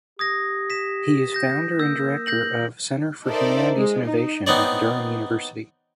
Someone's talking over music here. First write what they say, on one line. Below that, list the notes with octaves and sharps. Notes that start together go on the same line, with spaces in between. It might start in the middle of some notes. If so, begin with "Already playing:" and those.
He is founder and director of Centre for Humanities Innovation at Durham University.
G4 D#6 G#6 A#6
B6 E7
G6 A#6
A#3 E6 G6
G6 A#6 F#7
D#4 A4 A#4 C5 D5 E5
G#3
D#4
B3 C4 D#4 C#5 D5